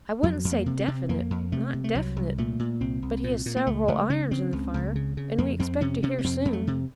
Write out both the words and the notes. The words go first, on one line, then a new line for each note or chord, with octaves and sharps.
"I wouldn't say definite, not definite, but he has several irons in the fire and we expect to hear soon."
F2 F#3
F2
A#3
C3
C4
C3
F2 A#3
F2
C3 A3
C3
A3
C2 F#3
C2
A#2 A3
A#2
C2 C4
C2
A#2
A#2
A#3
C#2 A3
C#2 A3
C#3 C#4
C#3 C4
C#2
C#2
C#3
C#3
F2 A#3
F2 C4
C3 C#4
C3 C#4
A#3
F2 C4
F2
A3
C3